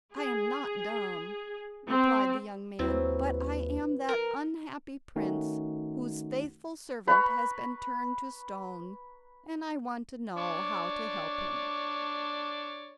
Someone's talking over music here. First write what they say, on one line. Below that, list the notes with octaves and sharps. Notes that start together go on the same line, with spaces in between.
'I am not dumb,' replied the young man, 'but I am that unhappy prince whose faithful servant has been turned to stone, and I want to know how to help him.'
G#4
C4
D#2 F#3 C4 E4 B4
A#4
D#3 A3 C#4 D#4 F#4
B4 A#5 B5 C#6
D4 C#5 D5